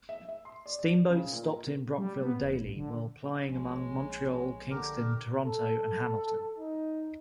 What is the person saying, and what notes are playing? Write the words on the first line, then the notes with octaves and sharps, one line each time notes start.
Steamboats stopped in Brockville daily while plying among Montreal, Kingston, Toronto and Hamilton.
E5
E5
C6
D5
D5
C#3
A#2
A#4
G3
B3
E1
A1
D3
A#1 G#3 C#5
D3 G4 A#4
A4
D#4